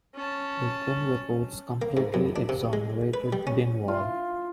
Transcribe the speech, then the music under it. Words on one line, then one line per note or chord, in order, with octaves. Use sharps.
The twin reports completely exonerated Dingwall.
C#4 A5
A#3
G#2
F#2
D4
C3
G#3
B4
G3
C#4
F4